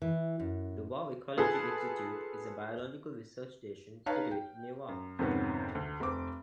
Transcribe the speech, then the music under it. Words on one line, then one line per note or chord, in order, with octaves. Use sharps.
The Wau Ecology Institute is a biological research station situated near Wau.
E3
F#2
F4 G#4 A4 B4 A5
D#4 B4 C#5 F5 A5
G5
F#2
F2 G#2 C3 D#3 B3 C#4
D2
F1 C4 D6